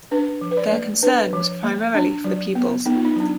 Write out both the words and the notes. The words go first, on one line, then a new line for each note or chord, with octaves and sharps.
Their concern was primarily for the pupils.
D4 B4
F3
B4
D5
A#3
D4 B4
F3
A#3
D4
F#3
B3
B3 D#4
F4
D#4
F#3 D4